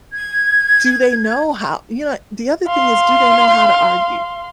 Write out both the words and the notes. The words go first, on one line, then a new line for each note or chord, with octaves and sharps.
do they know how you know, and the other thing is, do they know how to argue?
G#6
F5 C6